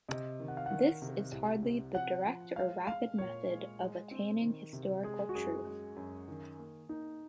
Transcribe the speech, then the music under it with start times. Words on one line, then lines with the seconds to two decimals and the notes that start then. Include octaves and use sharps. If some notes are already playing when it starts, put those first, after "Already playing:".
This is hardly the direct or rapid method of attaining historical truth.
0.08 C3 D#5
0.40 D#3
0.48 F#5
0.57 F5
0.66 D#3 F#5
1.02 C3
1.32 C2
1.63 C3
1.94 F3 F#5
2.26 F3
2.56 G#3 F5
2.87 G#3 F5
3.18 A#2 C#5
3.49 G#3
3.79 G#3
4.11 C4
4.42 D#3
4.73 C3
5.04 G#3 G#4
5.29 F#4
5.35 F#2 G#4
5.66 G#3
5.96 F#2
6.28 D#3
6.59 A#3
6.89 A#3 D#4